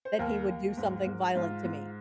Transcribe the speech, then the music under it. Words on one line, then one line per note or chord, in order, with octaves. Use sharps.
that he would do something violent to me.
C5
D#2 A#4
D#2
G#2
G#2
G#2 F4
G#2